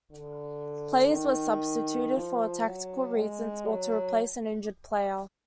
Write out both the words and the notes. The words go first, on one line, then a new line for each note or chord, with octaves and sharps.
Players were substituted for tactical reasons or to replace an injured player.
D3
D#3
F3
F#3
G#3
F#3